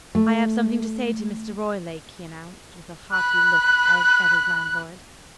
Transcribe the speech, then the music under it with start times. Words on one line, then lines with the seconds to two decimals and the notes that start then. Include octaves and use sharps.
"I have something to say to Mr. Roylake," he announced, with a haughty look at his landlord.
0.15 A3
3.12 B5 F#6